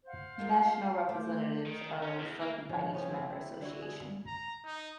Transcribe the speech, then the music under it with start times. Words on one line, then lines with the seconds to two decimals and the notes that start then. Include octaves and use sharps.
National Representatives are selected by each member association.
0.05 C5 F5 F#5
0.39 G#3 F4 A#4
1.09 A3 C5 D6
1.66 D#3
2.02 C#4
2.19 E2
2.41 A#3
2.69 C#3 E3 F3 G#3
2.94 F3 B3 C#4 G4
3.08 C4 E4 G4 G#4
3.30 E4 E5
3.61 D3 E4 F#4
3.82 G#4
4.27 A#5
4.65 D#4